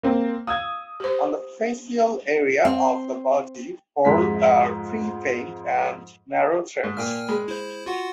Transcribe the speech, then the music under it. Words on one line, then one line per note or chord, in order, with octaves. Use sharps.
On the fasciole area of the body whorl are three faint and narrow threads.
A#3 C4
F5 D#6 E6 G#6
G4 C5
C4
F2 G#2 G#3 A#5 B6
G#2
A#2 A#3 G5 G#5 F6
G#3 B5
E4 C5
F4 F#4 F#5